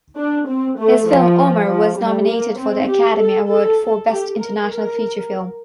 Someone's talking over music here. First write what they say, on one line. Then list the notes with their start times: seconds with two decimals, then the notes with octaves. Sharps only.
His film Omar was nominated for the Academy Award for Best International Feature Film.
0.17 D4
0.48 C4
0.78 A3
1.08 F3
1.68 F3
1.98 G3
2.28 A#3
2.58 C4
2.88 G4
3.18 A4
3.48 A4
4.08 G4
4.38 A#4
4.68 A#4